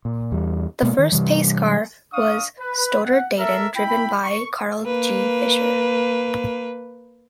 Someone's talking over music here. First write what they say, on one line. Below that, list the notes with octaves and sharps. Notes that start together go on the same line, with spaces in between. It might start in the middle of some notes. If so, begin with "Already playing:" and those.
The first pace car was a Stoddard-Dayton driven by Carl G. Fisher.
A#2
E2 G3
B2 G#3 A#3 B3
D#3
G2 C3 E3 G3
D4 F5 C#6 D#6
B4
F#5
A4 A#4 E5
E4 G5 B5
C#6
A#3 B4